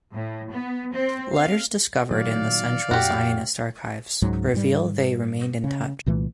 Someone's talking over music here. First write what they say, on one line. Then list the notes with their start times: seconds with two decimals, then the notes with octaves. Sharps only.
Letters discovered in the Central Zionist Archives reveal that they remained in touch.
0.12 A2
0.51 B3
0.93 C4
1.34 F5
2.11 A#2 D#3 F#3 D5 F5
2.91 F2 A#2 F#4 G4
4.22 C#2 G#2 F#3
4.54 G#2 G3
5.64 C#3
6.06 C2 A#2 E3 A3